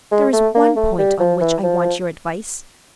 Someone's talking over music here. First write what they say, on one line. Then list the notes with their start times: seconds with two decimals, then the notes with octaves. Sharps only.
There is one point on which I want your advice.
0.12 G#3
0.33 A3
0.55 A#3
0.76 A3
0.99 G3
1.20 F3
1.41 E3
1.63 F3